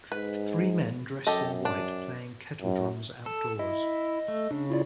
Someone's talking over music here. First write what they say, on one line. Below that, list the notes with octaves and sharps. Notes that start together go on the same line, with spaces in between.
Three men dressed in white playing kettle drums outdoors.
G#2 B4
F#2 G4 A4 D#5
D4
F#2
A4 A5
E4 D#5
A3
C#3 D4
E4 F4 D5